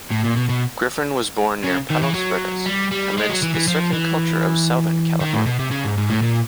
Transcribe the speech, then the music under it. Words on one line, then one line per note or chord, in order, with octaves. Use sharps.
Griffin was born near Palos Verdes amidst the surfing culture of southern California.
A2
A#2
B2
B2
C#3
D#3
E3
F#3
G3
G3
G#3
F#3
E3
E3
F3
E3
D#3
A2
B2
C3
C#3
G#2
G#2
A2
A#2